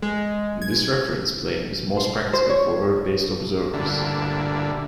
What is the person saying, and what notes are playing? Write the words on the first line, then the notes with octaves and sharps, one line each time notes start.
This reference plane is most practical for Earth-based observers.
G#3
G#6
C5
C5
C#5
D2 G2 A#2 D3 E4